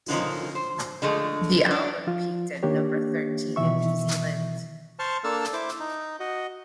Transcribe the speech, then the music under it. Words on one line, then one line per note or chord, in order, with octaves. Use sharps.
The album peaked at number thirteen in New Zealand.
D3 D#3 F3 C#4 D#4
C5
D3 F3 G#3 A3
F#3 D4
F3 F4
D#3 A#3 D4 G4 C#5
B2 D#3 E3 E5 C#6
C5 A5 C6 C#6 F6
A#3 D4 A4 A5 E6 F6
E4 C5 D6
D#4
F#4 D#5